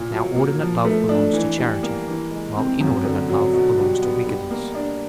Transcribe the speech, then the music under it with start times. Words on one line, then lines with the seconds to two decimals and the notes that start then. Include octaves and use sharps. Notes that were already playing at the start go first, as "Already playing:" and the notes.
Now ordinate love belongs to charity; while inordinate love belongs to wickedness.
Already playing: A#2
0.12 F#3
0.36 A#3
0.60 F3
0.85 A3
1.09 D4
1.33 E3
1.58 G3
1.83 A#3
2.07 E3
2.31 G#3
2.56 C4
2.81 F#2
3.05 D3
3.29 F#3
3.53 B2
3.78 G3
4.02 B3
4.27 G3
4.51 A#3
4.75 D4